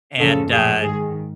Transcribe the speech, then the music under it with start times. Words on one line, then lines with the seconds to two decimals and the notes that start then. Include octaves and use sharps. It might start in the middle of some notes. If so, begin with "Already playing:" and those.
And, uh,
0.19 F#2 C#3 F3 A4
0.50 A#2 F3 G#4
0.82 G#2 D#3 G#4